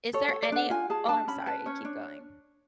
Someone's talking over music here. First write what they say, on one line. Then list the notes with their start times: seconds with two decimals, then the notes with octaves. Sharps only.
Is there any Oh, I'm sorry keep going.
0.13 A4 C#5
0.29 A4 C#5
0.43 D5
0.52 D4 F#5
0.70 F4 G#5
0.90 G#4 A5
1.09 D4 A5
1.28 C#4 B5
1.46 B4 A5
1.66 C#4 C#5
1.85 D4